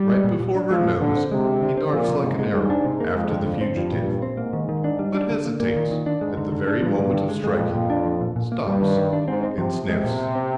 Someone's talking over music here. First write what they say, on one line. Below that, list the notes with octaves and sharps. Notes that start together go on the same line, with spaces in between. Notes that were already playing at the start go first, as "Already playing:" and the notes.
Right before her nose he darts like an arrow after the fugitive, but hesitates at the very moment of striking, stops, and sniffs.
Already playing: G3
G#3
A#2
A#2
D4
F3 G#3
A#2
A#2 D3
C4
C3 G#3
D3
D3
C4
A#2 F3
C3
G#2 C3
G#3
G#2 G3
D4
C3
A#3
F2 G#3
D3
D3
C4
G2 F3
A#2
A#2
C4
G#2 A#3
D#3
D#3
D4
G3
D4
D3
A#3
A#2 A#3
D#3
D#3
D4
G#2 G#3
D3
D3
D4
G2 F3
D3
D3
G#3
F2 G#3
A#2
A#2
D4
F3
A#2
A#2
A#3
G2 G3
D#3
D#3
D4
G#2 C4
C4
C3 F3
F3
C3 G#3
A#2
A#2
C4